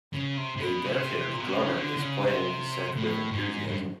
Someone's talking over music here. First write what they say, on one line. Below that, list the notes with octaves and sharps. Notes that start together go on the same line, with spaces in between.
A darkhaired drummer is playing his set with enthusiasm.
C#3
C3
C3
B2
C3
A#2
B2
C3
C#3
D3
D3
C#3
C3
A2
G#2
G2